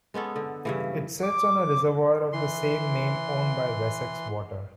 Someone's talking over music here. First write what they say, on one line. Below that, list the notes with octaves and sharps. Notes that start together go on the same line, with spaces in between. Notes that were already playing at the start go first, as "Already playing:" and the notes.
It sits on a reservoir of the same name owned by Wessex Water.
G#3 B3 C#4 A4
D3
G2 C#3 E3
D6
E3 C6